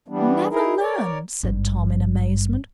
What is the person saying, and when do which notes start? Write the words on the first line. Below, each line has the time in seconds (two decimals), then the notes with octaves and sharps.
"Never learned?" said Tom, in amazement.
0.08 E3 G3 B3 D4
0.50 D#4 E4 G#4 A#4
0.78 A#4 C#5 D5
1.43 G#1 G2